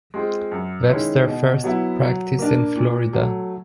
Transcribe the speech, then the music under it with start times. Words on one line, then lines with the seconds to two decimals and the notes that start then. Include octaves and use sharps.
Webster first practised in Florida.
0.14 G#3 C4 F4 G#4
0.52 F#2
0.88 D#3 G#3 C#4 E4
1.26 B2
1.64 F#3 B3 E4
2.01 F#3
2.39 A#3 D4
2.76 A#2
3.13 F#3 A3